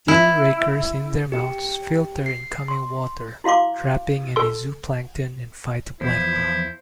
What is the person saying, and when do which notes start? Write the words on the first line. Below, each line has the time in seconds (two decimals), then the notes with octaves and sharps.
Gill rakers in their mouths filter incoming water, trapping any zooplankton and phytoplankton.
0.08 E4
1.32 G4
2.26 C7
2.68 C6
3.44 E4 F#4 F5 C6 D6
4.36 A4 C6
6.01 E2 F3 E4 C5